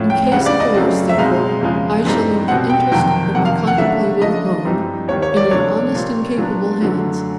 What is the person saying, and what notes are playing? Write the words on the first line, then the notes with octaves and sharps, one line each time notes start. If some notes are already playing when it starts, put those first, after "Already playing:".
In case of the worst, therefore, I shall leave the interests of my contemplated Home in your honest and capable hands.
Already playing: A2 F3 A3 C#4
G5
C#2 C#3 E3 G3 F#5
D5
D#5
F#2 C#3 F#3 A3 C4
E5
B2 G#3 C4 D#4 F5
E2 C#3 F3 G#3
G2 E3 G3 C4 D#4
B2 G3 C4 F#5
G5
F2 C3 D#3 F#3 A#3 G5
F2 C3 D#3 F#5
F5
F#5
C#3 F#3 A3 D4 E5
C#3 F3 A3 D4 D#5
G2 E3 G3 C4 D#4
D#2 D#3 G3 C#5
C#5
D5
C3 F3 A3 D4 C#5
A#2 G3 C4
A#2 F#3 B3 D4
F#2 D3 F#3 A3